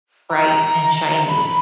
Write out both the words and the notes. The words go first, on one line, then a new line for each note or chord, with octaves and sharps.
bright and shiny.
A#5
B5